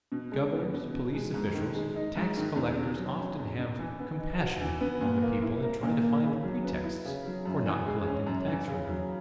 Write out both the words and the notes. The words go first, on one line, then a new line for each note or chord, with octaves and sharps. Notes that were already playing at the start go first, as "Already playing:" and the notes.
Governors, police officials, tax collectors often have compassion on the people and try to find pretexts for not collecting the tax from them.
B2
G#3
B3
B2
B2
G#3
G#2
D#3
G#3
D#4
G#2
D#3
E2
B2
F#3
C#4
E2
B2
E3
B3
D#4
F#4
E3
B3
A#2
A#3
E4
A#4
A#2
A#3
C#3
F#3
B3
E4
C#3
F#3
F#2
E3
G#3
C#4
F#2
E3
C#3
F#3